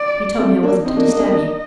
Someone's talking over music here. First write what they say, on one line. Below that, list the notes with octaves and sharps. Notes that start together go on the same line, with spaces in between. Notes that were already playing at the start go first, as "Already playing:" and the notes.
You told me I wasn't to disturb you.
Already playing: D5
A3 C4
A#3 D4
C4 D#4 D#5
A#3 D4
A#3 D4
A#3 D4
A#3 D4